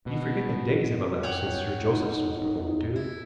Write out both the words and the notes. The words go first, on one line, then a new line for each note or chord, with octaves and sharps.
"You forget that days have elapsed since Sir Joseph's was broken into."
B2
C#5 F#5 G5
D#4
E4